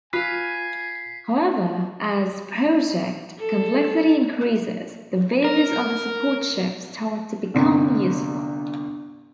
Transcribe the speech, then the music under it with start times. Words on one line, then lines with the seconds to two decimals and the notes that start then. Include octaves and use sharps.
However, as project complexity increases, the various other support chips start to become useful.
0.13 F4 B4 F5 G#5 E6 B6 C7
3.39 A4
5.44 A#4
7.54 G1 C2